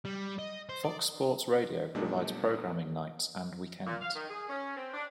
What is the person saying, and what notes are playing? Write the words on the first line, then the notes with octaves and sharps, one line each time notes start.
Fox Sports Radio provides programming nights and weekends.
G3
D#5
C5
D5
A#2 G3 A3 B3 D4 D#4
A#2
F5
D#3
G#4
C#4
C4
D4